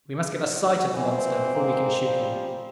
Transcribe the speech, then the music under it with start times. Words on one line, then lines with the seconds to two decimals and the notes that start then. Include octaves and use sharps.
We must get a sight at the monster before we can shoot him.
0.92 A#2 E3 C4
1.53 G#2 G#3 A#3
2.04 F3 G3